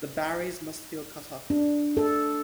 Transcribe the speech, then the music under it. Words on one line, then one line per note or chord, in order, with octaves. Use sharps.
The Barrys must feel cut up.
D4
A4